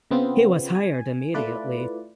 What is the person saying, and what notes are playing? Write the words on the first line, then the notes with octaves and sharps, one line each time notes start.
He was hired immediately.
C#3 B3 C4 F4
G#5
A3 E4 F4 B4 D5